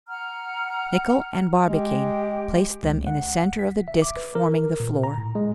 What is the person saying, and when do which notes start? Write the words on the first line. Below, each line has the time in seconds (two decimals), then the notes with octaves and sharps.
Nicholl and Barbicane placed them in the center of the disc forming the floor.
0.07 F#5 A#5 F6
1.67 G#3 G4
2.83 C#2
3.07 F#5
3.59 B6
3.88 E5
4.02 D6
4.17 B4
4.35 A#4
4.80 A#2
5.04 A#5
5.18 A2
5.35 G#3